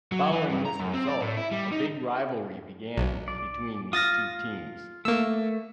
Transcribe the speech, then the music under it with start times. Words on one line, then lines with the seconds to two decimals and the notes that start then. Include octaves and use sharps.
Following this result, a big rivalry began between these two teams.
0.12 F#3
0.32 E3
0.49 G2
0.65 A#5
0.80 F#2
0.93 C4
1.08 D5
1.21 A2
1.37 E4
1.51 G3
1.72 D#4
2.97 B1
3.28 D5
3.93 F4 D#6 F6 A6 A#6
5.05 A3 A#3 E6